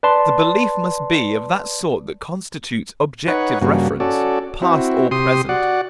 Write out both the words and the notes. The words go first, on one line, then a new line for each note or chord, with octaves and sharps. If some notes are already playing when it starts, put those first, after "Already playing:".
The belief must be of that sort that constitutes objective reference, past or present.
B4 D5 A5 C6
D#4 B4 C#5 F#5
G2 C#3 A#3 F#4
C#4 F#4 A4 D5
C4 E4 F#4
C3 G4 C6 D#6
F#4 D5 F#5